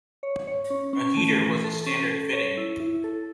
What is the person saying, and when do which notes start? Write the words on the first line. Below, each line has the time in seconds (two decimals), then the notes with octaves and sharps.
A heater was a standard fitting.
0.23 C#5
0.47 C#5
0.70 C#4
0.93 C#4
1.17 A3
1.40 E3
1.64 A4
1.86 C#4
2.11 A4
2.33 C#5
2.57 E4
2.80 E4
3.04 A4